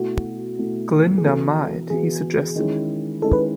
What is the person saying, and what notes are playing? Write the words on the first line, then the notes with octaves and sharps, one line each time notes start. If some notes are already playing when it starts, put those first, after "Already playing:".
"Glinda might," he suggested.
Already playing: B2 A3 E4 F#4
B2 A3 E4
G#4
E3 B3 F#4 A4
E3 B3 F#4 G#4
D#3 G#3 C#4 E4
D#3 G#3 C#4 E4 A4
B4